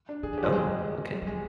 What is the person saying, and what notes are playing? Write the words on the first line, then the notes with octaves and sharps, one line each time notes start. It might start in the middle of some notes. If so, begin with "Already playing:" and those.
Oh, okay.
D4
D#3 G#4
D3
F3 G4
G#3
G3
G3
G#3